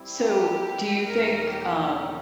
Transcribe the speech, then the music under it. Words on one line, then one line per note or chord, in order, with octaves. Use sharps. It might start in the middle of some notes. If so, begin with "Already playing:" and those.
So, do you think, um,
Already playing: G3 C4 E4
G4
E2 B2 F#3 A#3 D#4 A#4
G4